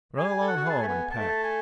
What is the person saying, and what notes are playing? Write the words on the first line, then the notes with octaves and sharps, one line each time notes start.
Run along home and pack.
G#4 G#5
A4
F#5
F#4
G#4 A5
A3 G#5
B3
A3 A5
G#5